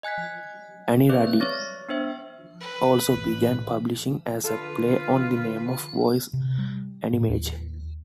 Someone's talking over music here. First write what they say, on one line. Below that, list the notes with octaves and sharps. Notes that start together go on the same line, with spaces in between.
AniRadi also began publishing as a play on the name of "Voice Animage".
D#5 G#5 F#6 G#6 B6
C4 G#4 B4 D5 E5 D6
C#5 C#6 D6 F6 A6 A#6
B3 D4 C5 E5
B4
A1
D3 F4 A4 B4
C3
G3
A2
D#2